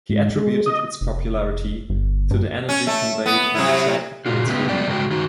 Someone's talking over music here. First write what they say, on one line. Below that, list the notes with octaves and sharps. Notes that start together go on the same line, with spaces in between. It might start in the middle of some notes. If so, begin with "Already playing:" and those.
He attributed its popularity to the energy conveyed in the track and its video.
G#2
G#3
D#5
F1
G1
G2
C#4
A3
B3
C3 F#3 E4
A#2 F4 F#4
C#3 A3 B3 G4
G3 G#3 B3 D5 G5
G#2 C#3 G#3 F#4 G#4 G5
D#3 D#4 F#4